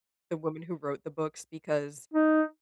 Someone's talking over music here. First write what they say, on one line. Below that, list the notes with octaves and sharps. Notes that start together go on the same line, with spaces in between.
the woman who wrote the books, because
D#4